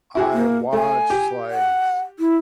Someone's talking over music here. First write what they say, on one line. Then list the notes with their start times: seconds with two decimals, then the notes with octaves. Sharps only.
I watched like,
0.15 E4 F#4 G#4
0.33 A#3
0.73 A3 G#5
1.10 G4
1.51 F#5
2.19 E4